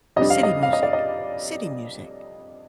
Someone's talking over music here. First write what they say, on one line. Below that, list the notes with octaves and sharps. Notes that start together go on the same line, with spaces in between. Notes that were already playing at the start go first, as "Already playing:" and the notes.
City music. City music.
F2 C3 G3 D4 D#5
F5
D#5
F5
D#5
D5
D#5